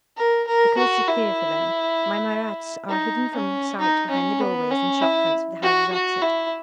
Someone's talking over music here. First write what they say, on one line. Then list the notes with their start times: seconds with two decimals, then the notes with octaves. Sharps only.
The coast is clear for them--my Marats are hidden from sight behind the doorways and shop-fronts of the houses opposite.
0.17 A#4
0.47 A#4
0.77 F#4
1.08 E4
2.89 D#4
3.35 C#4
3.80 D#4
4.10 C#4
4.40 B3
4.71 C#4
5.02 E4
5.62 F#4
5.92 F#4
6.22 E4